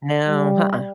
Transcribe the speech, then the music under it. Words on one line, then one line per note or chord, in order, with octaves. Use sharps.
No, uh-uh.
G3